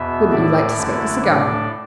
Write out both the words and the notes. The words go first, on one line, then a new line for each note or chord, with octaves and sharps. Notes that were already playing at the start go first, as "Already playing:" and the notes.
Wouldn't you like to smoke a cigar?
Already playing: E2 B2 B3 E5
A2 A3 E4 D5
F#2 D3 A3 E4
A2 A3 D4 D5